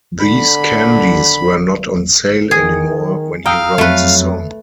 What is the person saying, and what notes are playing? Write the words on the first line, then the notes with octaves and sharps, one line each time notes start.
These candies were not on sale anymore when he wrote the song.
D3 B5
D#3 G#4
F5 G5 A#5 D#6 E6
F2 F#3 A3 B4